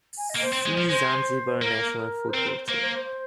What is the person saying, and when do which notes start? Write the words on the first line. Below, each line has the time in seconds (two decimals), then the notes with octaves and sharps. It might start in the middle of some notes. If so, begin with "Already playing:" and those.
See "Zanzibar national football team".
0.17 G#5
0.29 D#5
0.36 A#3
0.41 C5
0.53 C4
0.66 G#3
0.78 F3
0.89 G#3 C5
1.61 A#3 A#4
1.76 A#4
2.29 C5
2.33 C4 A#4
2.46 C5
2.57 C5
2.69 A#3 A#4
2.81 C5
2.93 C5